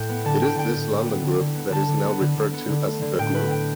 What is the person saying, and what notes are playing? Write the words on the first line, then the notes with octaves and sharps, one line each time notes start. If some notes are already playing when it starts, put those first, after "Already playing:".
It is this London group that is now referred to as "The Group".
Already playing: A2 G5
B3
D3 A5
B3 G5
D3 G5
A2
A2
B3
D3
D3
B3
D3 A5
D3
B3
D3
D3
B3
D3
A3
D3
A2 G5
A3 B4
A2 G5